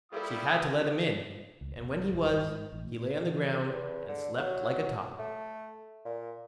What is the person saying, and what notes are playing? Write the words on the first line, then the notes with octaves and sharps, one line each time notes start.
She had to let him in, and when he was, he lay on the ground and slept like a top.
G3 A#3 E4 F4 G#4 A4 D#6
C#2
F1
E1
G1
G#2
A1
A#2
E3
E2
D3
F#3
A3
A#2